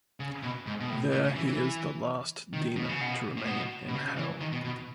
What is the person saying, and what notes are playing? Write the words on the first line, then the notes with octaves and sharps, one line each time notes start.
There he is the last demon to remain in Hell.
C#3
B2
G#2
B2
A2
A2
C#3
E3
E3
D#3
B2
C#3
B2
A2
B2
B2
C#3
E3
D#3
B2
B2